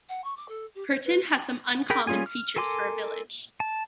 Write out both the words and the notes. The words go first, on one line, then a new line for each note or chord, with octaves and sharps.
Pirton has some uncommon features for a village.
F#5
C#6
D6
A4
G4
C5
B4
G#4 A#4 G5 B5
G3 C#4 F4 G#4 G#5
F6
A4 A#4 G#5 C6 D6
A5